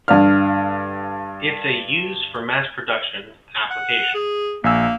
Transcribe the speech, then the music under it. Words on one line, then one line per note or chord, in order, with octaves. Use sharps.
It's a used for mass production application.
G2 D3 D5 F5 F6
F#5
G#4
A#1 A#3 G#5 E6